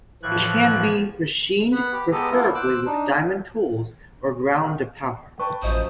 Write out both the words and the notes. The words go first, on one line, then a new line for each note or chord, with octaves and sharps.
It can be machined, preferably with diamond tools, or ground to powder.
A2 E3 F3 F#6 G#6
B3 F#5 B5
G4
G#3 B3 G4 A4 A#5 D#6
A#3 B3 E4 F4 A4 A#4
C5 D6 E6 F#6
D4 D#4
B4 G5 A5 C#6
A1 F#2 F3 C5 D#5 D#6